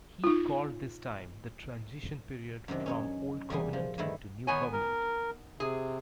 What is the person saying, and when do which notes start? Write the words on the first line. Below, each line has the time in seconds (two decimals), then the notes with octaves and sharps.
He called this time "the transition period" from Old Covenant to New Covenant.
0.24 D#4 F4
2.68 F#2 C3 D#3 D4
2.86 C#4 D#4 C#5
3.50 E2 A#2 G3 G#4 G#5
3.73 F3
3.98 G2 D3 D#3 A3 E4
4.47 D#3 B3 C#5 G#5
4.73 A#4
5.60 C3 G#4